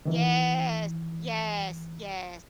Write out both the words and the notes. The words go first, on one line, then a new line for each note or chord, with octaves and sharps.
Yes. Yes, yes.
D#3 E3